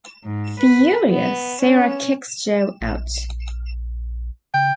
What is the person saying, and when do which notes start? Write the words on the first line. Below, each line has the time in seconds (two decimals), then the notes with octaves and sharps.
Furious, Sara kicks Joe out.
0.23 G#2
0.59 B4
1.11 B3
1.61 C#4
2.81 A#1
4.54 C#3 G5